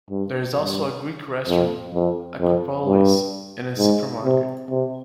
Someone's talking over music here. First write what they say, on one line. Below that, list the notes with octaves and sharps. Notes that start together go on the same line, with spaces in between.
There is also a Greek restaurant "Akropolis" and a supermarket.
G2
G2
F2
F2
F2
G2
G#2
C3
C3